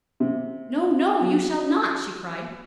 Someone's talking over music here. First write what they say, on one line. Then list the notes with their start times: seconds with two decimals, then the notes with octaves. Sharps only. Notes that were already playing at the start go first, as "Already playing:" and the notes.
"No, no; you shall not!" she cried.
0.20 C3
1.21 F#3